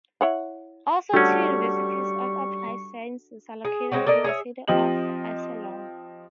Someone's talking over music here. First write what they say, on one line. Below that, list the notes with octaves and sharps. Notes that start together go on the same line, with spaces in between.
Also two universities of applied sciences are located in the city of Iserlohn.
E4 C#5 F#5
G3 A3 C#4 D4 F#4 A4 C#6
G#4
G#3 C4 C#4 F#4
A#3 A4 D5 D#5
G#4 C#5 E5
F3 C4 G4 D#5 F#7